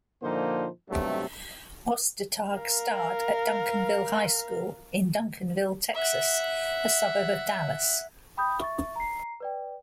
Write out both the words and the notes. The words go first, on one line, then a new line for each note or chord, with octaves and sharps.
Ostertag starred at Duncanville High School in Duncanville, Texas, a suburb of Dallas.
A#2 D3 F3 A#3 D#4 C5
B1 G2 C3 F#3 A3
A#4 F5
E5 F#5
G5 B5 D#6 G6
E5 C#6 A6
A#5 C7
B4 D5 G5